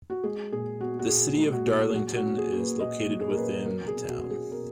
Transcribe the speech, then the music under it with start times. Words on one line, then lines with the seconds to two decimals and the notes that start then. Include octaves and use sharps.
The City of Darlington is located within the town.
0.10 F#4
0.23 G#3 G#4
0.52 A#2 G#4
0.81 B3 F#4
0.99 F#4
1.09 A#2 G#4
1.38 G#3
1.52 F#4
1.66 A#2
1.90 G#4
1.94 F#3 F#4
2.16 F#4
2.24 C#4
2.38 G#4
2.52 A#3
2.59 B4
2.80 A#2 D#5
3.09 F#3
3.21 G#4
3.30 A#4
3.38 C#4 B4
3.66 F#3 A#4
3.88 G#4
3.95 B2
4.09 F#4
4.23 C#4
4.31 G#4
4.51 B2 A#4